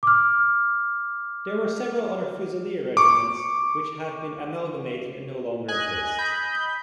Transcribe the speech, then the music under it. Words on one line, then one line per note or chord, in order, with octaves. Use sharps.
There were several other fusilier regiments which have been amalgamated and no longer exist.
D6 F6
C#6 D6
D#5 G#5 F#6 G#6
B5 G6